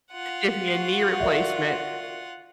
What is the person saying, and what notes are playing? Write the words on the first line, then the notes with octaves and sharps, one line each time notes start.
give me a knee replacement."
F4 F#5
F#4 C7
A#4 D5 E5